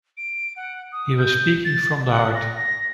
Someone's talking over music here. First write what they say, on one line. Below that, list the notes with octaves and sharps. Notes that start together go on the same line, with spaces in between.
He was speaking from the heart.
D7
F#5
D#6
G6
A6
F#5
A#6